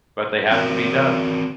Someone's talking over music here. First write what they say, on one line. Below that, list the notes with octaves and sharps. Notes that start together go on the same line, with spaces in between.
but they have to be done.
C4 F#4 A#4